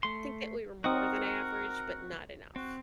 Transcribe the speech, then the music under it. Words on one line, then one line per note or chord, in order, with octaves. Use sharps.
I think that we were more than average, but not enough.
A3 C6
C4 D#4 F#4 A#4 F#5 D#6
C4 F#4